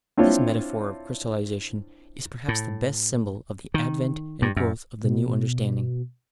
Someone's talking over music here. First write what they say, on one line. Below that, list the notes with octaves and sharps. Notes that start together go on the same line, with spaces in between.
This metaphor of crystallisation is perhaps the best symbol of the advent and growth of the new understanding.
C4 D4 E4 F4 C#5
A2
D#3
G2
F#2
B2